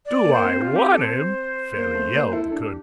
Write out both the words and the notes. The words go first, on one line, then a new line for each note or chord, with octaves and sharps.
"Do I want him?" fairly yelled the colonel.
D5
A#3
C5
A#3
C4
F4
G4
A4
C5
A#3
A3
A#3
E4 A4
A4
D4
G4